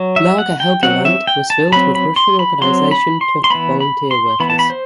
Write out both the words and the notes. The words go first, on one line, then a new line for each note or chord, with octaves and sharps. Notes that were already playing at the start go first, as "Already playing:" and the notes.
"Lager Helgoland" was filled with Russian Organisation Todt volunteer workers.
Already playing: F#3
E5
F#5
G5
F#3 C4 F#5
E5
G5
A5
F#3 C4 B5
B5
C6
B5
F#3 C4 C6
B5
C6
C6
E3 B3 B5
B5
C6
E3 B3 B5
A5
B5
C5